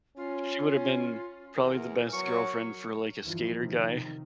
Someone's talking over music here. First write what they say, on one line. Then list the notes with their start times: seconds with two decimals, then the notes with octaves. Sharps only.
she woulda been probably the best girlfriend for, like, a skater guy.
0.17 C#4 F4
1.55 E2 A#4
2.13 F#3 C#6
3.22 E2 G2 E3 F3
3.58 C3 D#3